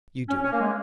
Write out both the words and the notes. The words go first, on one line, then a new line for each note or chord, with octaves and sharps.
You do.
C#4
C#4
A#3
G#3